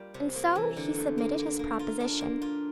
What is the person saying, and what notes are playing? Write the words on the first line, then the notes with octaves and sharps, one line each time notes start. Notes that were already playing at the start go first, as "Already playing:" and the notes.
And so he submitted his proposition.
Already playing: G3 A#3 F4
C3
A#3
E3
D3
A3
A#3
A#3
A#3
F4
D4
A#3
F4